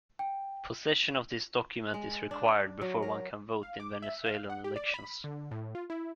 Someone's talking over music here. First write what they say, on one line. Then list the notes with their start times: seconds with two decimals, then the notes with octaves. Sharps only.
Possession of this document is required before one can vote in Venezuelan elections.
0.19 G5
1.94 G#3
2.31 D4
2.81 F#3
3.02 A#4
3.63 F5
3.80 D6
4.02 E5
4.26 F5
4.50 F#5
4.64 G4
4.76 D5
4.94 B5
5.24 D3
5.51 A2
5.75 F4
5.90 E4